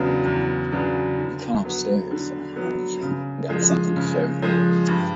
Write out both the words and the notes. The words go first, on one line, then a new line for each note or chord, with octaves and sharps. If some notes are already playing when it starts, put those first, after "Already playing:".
Come upstairs, I've got something to show you.
Already playing: E2 C#3 F#3 B3 D4
E2
C#3 F#3 B3 D4
D3
F#3 B3
D3
F#3 B3
C#3
F3 G#3
C#3
F3 G#3
G2